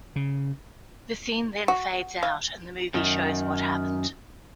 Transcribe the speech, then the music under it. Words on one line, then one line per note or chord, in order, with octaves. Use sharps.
The scene then fades out, and the movie shows what happened.
C#3
F#4
F5
F#2 D#3